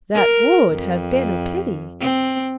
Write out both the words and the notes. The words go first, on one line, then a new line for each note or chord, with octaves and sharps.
That would have been a pity.
A#4
F2
C4